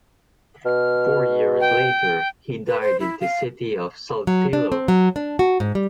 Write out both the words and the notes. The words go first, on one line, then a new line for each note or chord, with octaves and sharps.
Four years later, he died in the city of Saltillo.
B2 F6
G5
B4
C5
E4
F5
F#3
D4
C4
F#3
D4
F#4
G#2
G3